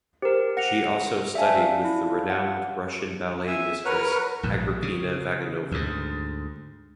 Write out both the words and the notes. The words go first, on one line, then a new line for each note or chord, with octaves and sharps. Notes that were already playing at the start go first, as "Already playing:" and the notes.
She also studied with the renowned Russian ballet mistress Agrippina Vaganova.
G4 A#4 C5
F#5 A#6 C#7 F7
D5 E5 F5 G#5 A5
E4
F#5
E5 G#5
A#4 B4 C#5 F#5 F6
A#1 G#2
C#3
D2 G#2